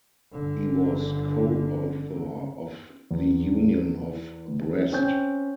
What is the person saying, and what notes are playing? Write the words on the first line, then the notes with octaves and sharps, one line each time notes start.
He was co-author of the Union of Brest.
G1 D3
E2
C4 C#4 G5 G6